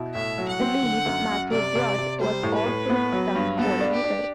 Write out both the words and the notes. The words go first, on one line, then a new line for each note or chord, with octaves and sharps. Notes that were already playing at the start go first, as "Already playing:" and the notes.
The lead, Matthew Bruch, was also the Stunt Coordinator.
Already playing: B2 E4
A2 E5
F#3
F#5
C4
D3
F#2
F#2
C3 D5
C3
C3
G3 C5
A2
B4
A2
B3
F#3
G2
B3 A4
D4
G4
D4